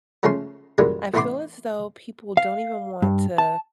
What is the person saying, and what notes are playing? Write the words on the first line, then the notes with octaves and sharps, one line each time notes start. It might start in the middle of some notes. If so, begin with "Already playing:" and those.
I feel as though people don't even want to,
C#3 F3 G#3 A3 C#4 C6
F#2 A#2 D3 E3 G3 G#3
A1 E3 A3 B3 C6 D6
F5
G2
A5